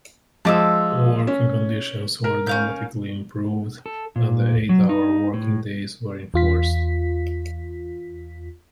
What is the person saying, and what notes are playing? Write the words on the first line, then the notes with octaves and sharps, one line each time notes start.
Working conditions were dramatically improved and the eight-hour working days were enforced.
F3 G#3 A5 D6 E6
C#4
A#4
C#4 F5 G6
A4
A#2
F#3
D#4
A2
E2 F4 B6